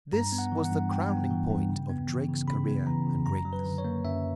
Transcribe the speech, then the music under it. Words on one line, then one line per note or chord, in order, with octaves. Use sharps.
This was the crowning point of Drake's career and greatness.
G2 A#5
B3
F#5
E3
F#5
G2
G2 G5
B3
E3
G2
C#3
B3
E3
C#3
C#3 B5
B3
E3 A#5
C#3
F#2 A#5
F#3
B4
D3
C#5
A#3
F#2 E5